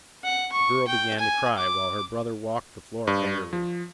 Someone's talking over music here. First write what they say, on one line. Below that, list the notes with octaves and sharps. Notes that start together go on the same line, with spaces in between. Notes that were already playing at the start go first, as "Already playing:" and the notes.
The girl began to cry, while her brother walked the floor angrily.
F#5
C#6
G5
G#5
D6
G2
F3